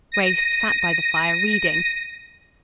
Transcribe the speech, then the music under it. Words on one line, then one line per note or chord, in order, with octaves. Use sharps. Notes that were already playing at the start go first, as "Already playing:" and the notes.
Grace sat by the fire reading.
A#6 D#7